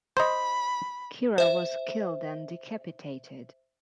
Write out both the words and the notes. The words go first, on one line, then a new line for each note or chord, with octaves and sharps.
Kira was killed and decapitated.
C5 D#5 B5
C5 E5